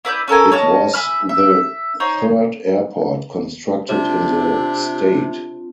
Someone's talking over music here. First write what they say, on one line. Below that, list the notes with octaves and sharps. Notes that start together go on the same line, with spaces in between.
It was the third airport constructed in the state.
E4 B4 D5 G6
C#4 A4 A#4 G#5
C#5 D#5 A5 F6
E5 G#5 B5 F6
E5
D#4 C5 C#5
C3 C4 D4 F4